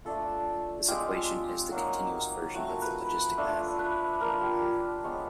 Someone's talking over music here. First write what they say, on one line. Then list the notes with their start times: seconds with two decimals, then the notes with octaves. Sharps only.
This equation is the continuous version of the logistic map.
0.05 A3 D4 F4 A4
0.88 G#3 C4 F4 G4
1.71 F#3 A#3 D#4 F#4
2.54 F3 A3 C4 F#4
2.69 A#4
2.82 B4
3.38 A3 D4 F4
3.79 B4
4.20 F3 A#3 D4 F4 A#4
4.41 G4
4.62 G4
5.04 G#3 B3 D4 C#5